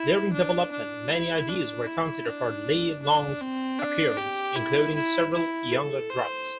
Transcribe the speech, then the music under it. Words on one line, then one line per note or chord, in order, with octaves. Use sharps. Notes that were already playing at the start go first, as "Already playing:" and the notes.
During development, many ideas were considered for Li Long's appearance, including several younger drafts.
Already playing: E4
D4
D4
E4
D4
E4
D4
D4
C4
D4
G4
E4
E4
E4
A4
C5